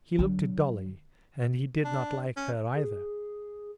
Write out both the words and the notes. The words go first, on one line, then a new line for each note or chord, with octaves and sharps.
He looked at Dolly, and he did not like her either.
D3 F#3
D4
C#4
G#4